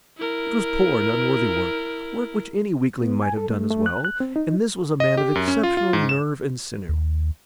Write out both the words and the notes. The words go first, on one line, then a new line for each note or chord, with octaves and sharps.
It was poor and unworthy work--work which any weakling might have done as well, and this was a man of exceptional nerve and sinew.
E4 A#4
B3
G#5
A4
A3
A3
F#6
F#6
C4
D#4
D#5
G4
F#2
C#4
F4
F4
G#2
E7
D#2